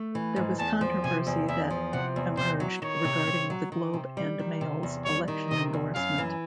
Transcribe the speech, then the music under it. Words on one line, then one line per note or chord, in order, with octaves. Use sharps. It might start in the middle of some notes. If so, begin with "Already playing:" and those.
There was controversy that emerged regarding the Globe and Mail's election endorsement.
Already playing: A3
E3
G#2
E2 A5
F3
C3 G#5
E2
E2 E5
F3
C3 F#5
E2
C3 C5
F#3
D#3 C#5
C3
C3
F#3
D#3
C3
G3
D#3
C3
E2
G3 C#5
D#3
C3 D#5
E2
F#2 F5
E3